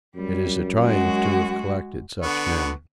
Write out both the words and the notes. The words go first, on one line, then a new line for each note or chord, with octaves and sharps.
It is a triumph to have collected such men.
F#2 G3
G#3 F#4
D3 B3 C#6